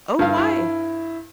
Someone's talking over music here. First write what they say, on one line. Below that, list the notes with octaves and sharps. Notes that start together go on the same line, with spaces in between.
Oh, why?
G2 F5
E4